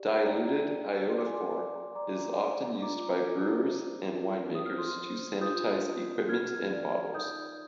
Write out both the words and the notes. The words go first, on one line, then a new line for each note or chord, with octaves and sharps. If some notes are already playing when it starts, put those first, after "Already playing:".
Diluted iodophor is often used by brewers and winemakers to sanitize equipment and bottles.
Already playing: G4 D5
D5 G5 A#5
D5
D5 C6
D6
G#5 C6
D5
D5 A#5 D6
D5
F4 A#5 D6
F4
C5
F4
C5 D#6
F6
C6 D#6
C5
F4 D#6 G6
F4
A#4 F6 G#6
D5
D#4 D#6 G6